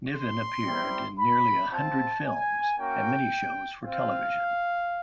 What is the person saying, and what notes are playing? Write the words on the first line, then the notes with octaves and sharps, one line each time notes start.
Niven appeared in nearly a hundred films, and many shows for television.
C6
G3 C4 E4 G4
B5
C4 F4 A5
G#5
A#3 C#4 F#4 G5
C4 F4 F5